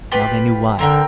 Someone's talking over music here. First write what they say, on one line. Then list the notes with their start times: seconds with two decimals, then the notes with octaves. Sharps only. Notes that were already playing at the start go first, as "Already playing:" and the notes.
Now they knew why.
0.12 F4 G4 B4
0.79 D3 C4 A#4 G5